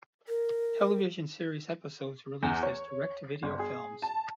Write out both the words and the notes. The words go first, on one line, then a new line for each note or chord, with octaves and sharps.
Television series episodes released as direct to video films.
A#4
E2
C#5
G1
G#4
A5